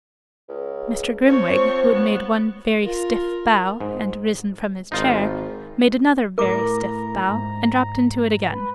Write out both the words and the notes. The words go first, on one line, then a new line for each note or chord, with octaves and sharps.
Mr. Grimwig, who had made one very stiff bow, and risen from his chair, made another very stiff bow, and dropped into it again.
C#2
F3 C4 C#5
B3
F4 A#4
G#2
G#1 D#4 F4
A2 E4 A#4 A#5 D6
G#2
B4